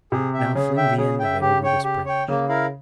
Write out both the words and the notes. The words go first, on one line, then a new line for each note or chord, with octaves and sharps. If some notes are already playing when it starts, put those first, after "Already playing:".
Now fling the end of it over this branch.
C3 G#4
E5 G5
C#3 G#4
E5 G5
C#3 G#4
E5 G5
C#3 G4
C#5 G5
G4
C#5 G5
C#3 A#3
E4 A#4 F5